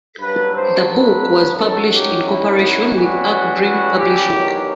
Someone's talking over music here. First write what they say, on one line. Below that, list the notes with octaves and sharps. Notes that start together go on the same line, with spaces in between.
The book was published in cooperation with Arc Dream Publishing.
G2 F#3 B4
C5
B4
F#2 D#3 F#3 A4
G4
E4
A1 A2 E3 G3 F#4
F#4
G4
E2 D#3 F#3